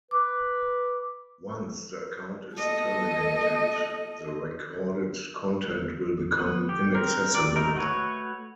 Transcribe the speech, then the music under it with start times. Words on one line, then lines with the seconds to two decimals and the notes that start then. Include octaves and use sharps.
Once the account is terminated, the recorded content will become inaccessible.
0.11 B4 D6
2.54 A4 D#5
6.39 B3
6.69 G4
6.94 C4 A#4
7.35 D5
7.56 A3 D#4 A#4
7.75 A3 F#4 B4 C#5